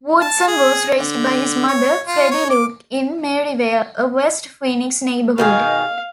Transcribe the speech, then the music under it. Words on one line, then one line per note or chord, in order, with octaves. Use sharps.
Woodson was raised by his mother, Freddie Luke, in Maryvale, a West Phoenix neighborhood.
A5
G#4
D3
C#5
F4
C#5
D6
B2 D#3 G#4 F5